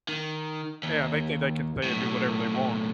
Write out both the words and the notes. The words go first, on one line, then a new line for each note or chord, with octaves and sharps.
Yeah, they think they can say and do whatever they want.
D#3
D#2
B1 A2